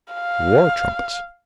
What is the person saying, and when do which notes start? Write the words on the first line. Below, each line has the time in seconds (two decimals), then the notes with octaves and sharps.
War trumpets!
0.14 F5